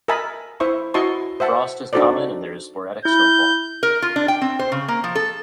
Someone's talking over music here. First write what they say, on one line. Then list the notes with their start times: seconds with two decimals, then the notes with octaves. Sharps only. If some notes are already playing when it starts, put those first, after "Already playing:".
Frost is common and there is sporadic snowfall.
0.08 A#4 D#5 E5 G#5 A5 B5
0.60 E4 C5 E5 C#6
0.94 E4 F#4 D#5 A5 C6 C#6
1.40 C5 E5 F#5 A5
1.93 D4 D#4 F#4 A4 C5 D5
3.05 E4 G6
3.83 A#4
4.02 F4
4.16 D4
4.28 G5
4.42 C4
4.59 C5
4.72 C#3
4.88 A#3
5.04 F3
5.15 A4